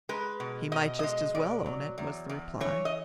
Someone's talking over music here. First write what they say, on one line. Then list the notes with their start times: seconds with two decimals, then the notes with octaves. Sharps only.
"He might just as well own it," was the reply.
0.09 G#3 B4
0.40 B2
0.72 B2 D#5
0.99 G#3 D#5
1.35 B2 D5
1.66 F#3
1.98 E2
2.29 E2
2.60 E3 C#5
2.85 D#5